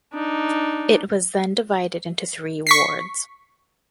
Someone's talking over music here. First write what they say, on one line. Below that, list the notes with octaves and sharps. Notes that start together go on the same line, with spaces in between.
It was then divided into three wards.
D4 D#4
C#6 B6 C7